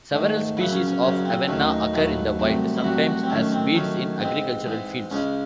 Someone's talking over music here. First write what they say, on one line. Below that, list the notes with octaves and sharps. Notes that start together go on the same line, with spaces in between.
Several species of "Avena" occur in the wild, sometimes as weeds in agricultural fields.
G#2 D#3 A3
F#2 C#3 F#3 E4
C#4
C#4
F#2 C#3 F#3 C#4
C4
D#2 D#3 F#3 A3 C#4
D#4
D#2 D#3 F#3 A3 E4
C2 C3 F#3 A3
E4
C2 C3 F#3 A3 F#4
F#4
C4
F#2 D#3 A3 C#4
C4
F#2 D#3 A3 C#4
G#2 E3 G#3 C4
G#2 E3 G#3
C#2 C#3 G#3 C#4